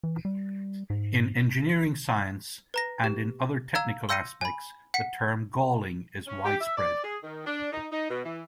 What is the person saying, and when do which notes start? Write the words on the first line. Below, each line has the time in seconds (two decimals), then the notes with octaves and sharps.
In engineering science and in other technical aspects, the term galling is widespread.
0.03 E3
0.25 G3
0.90 G#2
2.74 B4 A#5 A#6
3.04 G4
3.75 F5 A#5 E6 G#6
4.09 C6 E6 G6 A#6 C#7 D#7
4.41 G#5 B5
4.94 F#5 B6 C#7
6.27 C#4
6.44 G4
6.61 E5
6.77 D5
7.04 G#4
7.23 D#3
7.46 D4
7.71 D#4
7.92 D#4
8.10 B2
8.25 E3